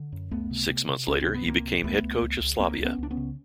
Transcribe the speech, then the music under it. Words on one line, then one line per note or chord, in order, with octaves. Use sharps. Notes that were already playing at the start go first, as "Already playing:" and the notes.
Six months later, he became head coach of Slavia.
Already playing: D3
F#2
C#2 A3 B3
C3
C3
C3
C#2 C#4
C4
C3
B3
C#2 A#3 C4
C3
C#2 A3 B3
C#2
C#2
C#2
C#2 A#3 C4
C#2
B3 C#4
C#2 D4
B3 C#4
C#3